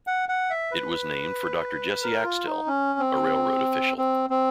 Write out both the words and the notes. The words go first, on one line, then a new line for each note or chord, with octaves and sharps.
It was named for Dr. Jesse Axtell, a railroad official.
F#5
F#5
E5
B4
A#4
F4
D#4
C#4
C4
C4
C4